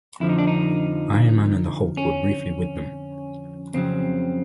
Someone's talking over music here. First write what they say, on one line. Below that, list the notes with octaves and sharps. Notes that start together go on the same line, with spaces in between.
Iron Man and the Hulk were briefly with them.
F2 D3 F3 E4
D#4
D4
D#4
C#4
F2 C#3 F#3 C4